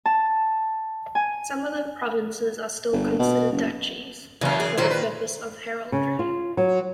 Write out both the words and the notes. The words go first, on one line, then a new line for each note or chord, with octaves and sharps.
Some of the provinces are still considered duchies for the purposes of heraldry.
A5
G#5
G1
B2
F#1
F#2 C#3 E3 C#4
G#4
A#2 D#3 F#3 E4 C5
B4
C#3
F4
F#3